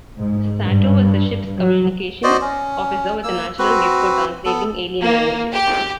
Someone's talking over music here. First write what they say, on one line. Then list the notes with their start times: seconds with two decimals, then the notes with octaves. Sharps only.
Sato was the ship's communications officer, with a natural gift for translating alien languages.
0.17 G#2
0.63 G2
1.57 F#3
2.23 F#4 C5 D5 D#5
2.41 C#4
3.24 A#3 E6
3.59 C4 F#4 B4
4.46 B3 A4
5.01 A#3
5.52 G4